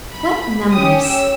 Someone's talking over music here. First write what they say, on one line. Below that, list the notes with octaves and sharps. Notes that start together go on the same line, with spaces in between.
What numbers!
B5
C#4 G4 D#6
E6